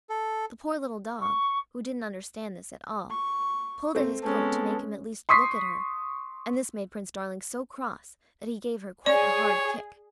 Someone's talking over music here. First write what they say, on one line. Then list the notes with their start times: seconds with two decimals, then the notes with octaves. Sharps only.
The poor little dog, who didn't understand this at all, pulled at his coat to make him at least look at her, and this made Prince Darling so cross that he gave her quite a hard kick.
0.10 A4
1.21 C#6
3.10 C#6
3.95 A3 C4
4.23 G#3 B3 C#4 A4
5.29 C6 C#6 D#6 B6 C7
9.06 G#4 C#5 D5